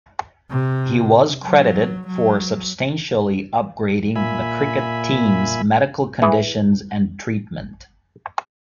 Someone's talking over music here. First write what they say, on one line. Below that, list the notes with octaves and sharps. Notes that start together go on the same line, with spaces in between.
He was credited for substantially upgrading the Cricket team's medical conditions and treatment.
C3
F#3
F#3
A#2 E5 G#5 B5
E3 G#4